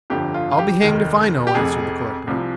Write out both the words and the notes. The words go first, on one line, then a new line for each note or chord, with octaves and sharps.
"I'll be hanged if I know," answered the collector.
G1 F2 D3 F3 G4
F4
F4
G4
F1 D#2 D#3
G4
F1 F2 C3 G#4
C2 C3 F3